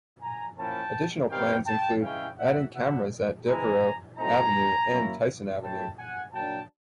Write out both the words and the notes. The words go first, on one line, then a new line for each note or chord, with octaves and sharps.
Additional plans include adding cameras at Devereaux Avenue and Tyson Avenue.
G#5 A#5
F3 A#3 C#4 E4 G5 A5
C3 D#3 G3 B3 F5 G5
G5 A5
C#3 E3 G#3 C#4 E4 F5 G5
E5 F#5
F#3 B3 D4 E5 F#5
E3 G#3 C4 E4 G#5 A#5
A2 F#3 A3 C4 D#4 G#5 A#5
F#3 A#3 C#4 E4
F#3 A3 C#4 E4 G5 A5
F#5 G#5
F#3 A#3 D4 G5 A5